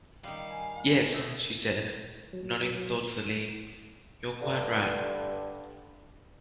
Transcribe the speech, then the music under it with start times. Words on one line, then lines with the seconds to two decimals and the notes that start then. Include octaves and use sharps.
"Yes," she said, nodding thoughtfully, "you're quite right."
0.24 D#3 G3 F5
0.51 G#5
1.13 B2 A3
2.33 F#3
4.42 G2 D3